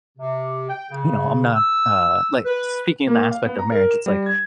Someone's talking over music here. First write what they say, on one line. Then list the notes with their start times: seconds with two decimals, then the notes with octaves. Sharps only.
you know, I'm not, uh, like speaking the aspect of marriage, it's like,
0.18 C3
0.69 G5
0.90 C#3
1.54 E6
2.45 B4
3.07 A#3
3.31 F5
3.46 B3
3.59 A#5
3.72 A#4
3.91 E7
4.06 G3
4.26 G#6